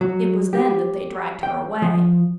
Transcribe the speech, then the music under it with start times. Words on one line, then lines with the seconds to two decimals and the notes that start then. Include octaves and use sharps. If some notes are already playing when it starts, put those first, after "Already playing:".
It was then that they dragged her away.
0.01 F#3
0.53 G4
1.43 G5
1.82 F3